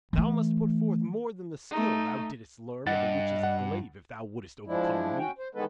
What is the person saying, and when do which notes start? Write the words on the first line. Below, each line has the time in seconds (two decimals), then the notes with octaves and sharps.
'Thou must put forth more than the skill thou didst learn of the witches of Glaive if thou wouldst overcome me.
0.13 E3 A3
1.70 A3 D#4
2.87 G2 D#5 F#5 A6
3.43 F#5
4.67 F3 G#3 D4 E4
5.19 C#4 F#4 G5
5.38 C5
5.55 E2 D#3 G#3 B3 A4 B4